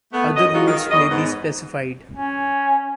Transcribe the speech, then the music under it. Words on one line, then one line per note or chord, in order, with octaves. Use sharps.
Other rules may be specified.
A3 B3
F#2 D#5
F#3 G#3 D#4 F4 F#4
D#3
E2 C#5 D#5
G#2 B3
C#4